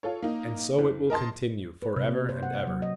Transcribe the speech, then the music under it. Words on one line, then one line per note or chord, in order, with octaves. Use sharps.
And so it will continue for ever and ever.
F4 A4 C#5
A#3 D#4
F#1
A#4 D#5 A5 C6
B4
C3
A#3
C5
F#5
F#3
D#5